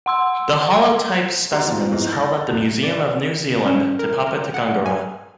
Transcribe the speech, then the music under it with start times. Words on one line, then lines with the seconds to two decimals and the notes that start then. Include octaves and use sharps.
The holotype specimen is held at the Museum of New Zealand Te Papa Tongarewa.
0.06 F#5 C6 E6
1.53 D4 F#4 G4 A#5 C6
1.66 D#3 F3 C4 F4
1.92 E2 E3 D#4 E4
2.11 E6 G6 A6 A#6
2.47 E1 G3 A4 F#6 F7
2.83 D5
3.66 C#4
3.99 A#4
4.27 A#4
4.54 F#5
4.86 G#5